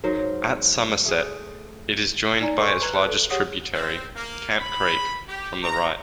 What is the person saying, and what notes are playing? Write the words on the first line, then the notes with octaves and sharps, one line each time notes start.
At Somerset, it is joined by its largest tributary, Camp Creek, from the right.
G#2 F#3 A#4 C5
A3 G#4
D#4 D5 G#5 A#5
A4 C5 G#5 C6 C#6
B4 A#5 F#6 G#6
B4 A5 F#6
A4
G4 G#4 C#5 F#5 D#6
C4
A#3
B5
G4
A#5